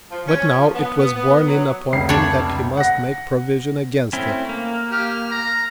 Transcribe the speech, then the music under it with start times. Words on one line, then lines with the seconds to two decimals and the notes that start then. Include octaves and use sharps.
But now it was borne in upon him that he must make provision against it.
0.10 F3
0.27 C#4
0.56 F3
0.74 B3
0.98 B3
1.15 B3
1.45 F#3
1.93 F1 C#2 C7
2.09 D4 C#5
2.77 F#5 A#6
4.13 A3 C4 C#4 E4
4.49 A#3
4.91 G4 F6
5.31 A#5